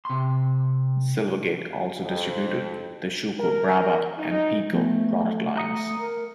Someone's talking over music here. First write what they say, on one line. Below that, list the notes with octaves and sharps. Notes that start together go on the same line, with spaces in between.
Silvergate also distributed the Schuco, Brawa, and Piko product lines.
C3 C6
F2
A#4
D#4
F3 A3 B3
A#5 D#6 C#7
A#4